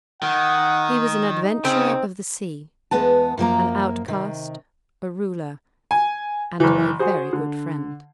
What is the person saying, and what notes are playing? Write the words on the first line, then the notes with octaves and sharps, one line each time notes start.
He was an adventurer of the sea, an outcast, a ruler--and my very good friend.
D#3 F#5
D#4
C#3 C4
E2 G#3 B3 B4 A5
F#2 F3 A#3 A#5
C3 D#3
G#5
F#1 E3
F#4 G#4 C5
D3